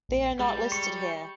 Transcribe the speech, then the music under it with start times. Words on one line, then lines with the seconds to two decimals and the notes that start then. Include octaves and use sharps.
They are not listed here.
0.09 A#1
0.39 G3 G#3
0.72 C#6